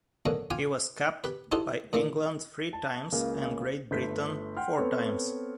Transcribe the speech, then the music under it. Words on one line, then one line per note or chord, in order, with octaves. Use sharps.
He was capped by England three times and Great Britain four times.
B2 D3 F#3 A#3 C#4
F4 F5 G5 G#5 D6
G4 B4
D#4 E4 F#4 G4 A4 C5
A#2 E3 A#3 C4
A5
C#2 C#3 A#3 C#4
G1 A3 G6 B6
F#5 G5 C6 F6
B3 C4 A4 B4 C#5